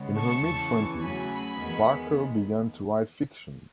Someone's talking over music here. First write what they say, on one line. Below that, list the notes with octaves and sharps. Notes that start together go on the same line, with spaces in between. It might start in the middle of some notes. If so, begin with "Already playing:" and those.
In her mid-twenties, Barker began to write fiction.
Already playing: C#3 G#3 B3
A5 C#6
E2 C#3 E3 A5 C#6
C#3 F#3 A3 G#5 B5
G#5 B5
E2 D#3 G#3 B3